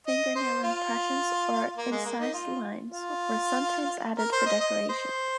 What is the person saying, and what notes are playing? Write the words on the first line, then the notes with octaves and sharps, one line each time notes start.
Fingernail impressions or incised lines were sometimes added for decoration.
D#5
C5
F4
A#3
G#3
A#3
D#4
F4
F4
A#4
C5
D#5
D#5
C5